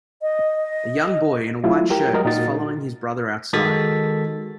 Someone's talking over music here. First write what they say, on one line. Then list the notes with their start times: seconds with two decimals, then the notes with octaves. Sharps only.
A young boy in a white shirt is following his brother outside.
0.22 D#5
1.64 F#3 A3 E4 F4
1.90 G3 G4 A#4 G5
2.13 F#3 G#3 A#4 D#5
2.25 A#2 D#4 F#4 A6
3.53 D#3 G#3 F#4 A4 A6 B6